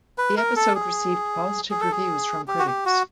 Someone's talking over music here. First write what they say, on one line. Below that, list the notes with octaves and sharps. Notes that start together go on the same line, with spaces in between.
The episode received positive reviews from critics.
B4
A#4
A4
G#4
G#4
A4
G#4
G4
F#4
G4
F#4